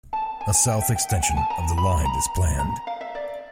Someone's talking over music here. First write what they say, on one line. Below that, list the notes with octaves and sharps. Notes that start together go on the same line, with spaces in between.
A south extension of the line is planned.
A5
G#5
G#5
G5
E5
G5
F#5
G#5
A5
A#5
B5
A#5
A#5
F5
E5
D5